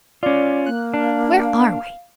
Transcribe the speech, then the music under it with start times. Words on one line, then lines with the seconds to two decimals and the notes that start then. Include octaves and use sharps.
Where are we?
0.23 C#4 F4 D5
0.66 A#3 F#6
0.94 D4 F5